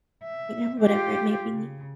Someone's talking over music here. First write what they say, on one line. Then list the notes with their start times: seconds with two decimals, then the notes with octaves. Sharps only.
you know, whatever it may be.
0.23 E5
0.80 F4 G4
1.52 C#3